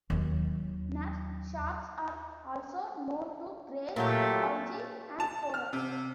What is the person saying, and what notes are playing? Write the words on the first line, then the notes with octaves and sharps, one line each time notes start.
Nurse sharks are also known to graze algae and coral.
D#2 F#3
A#2 F#3 A3 A#3 G4
A5
F6
C3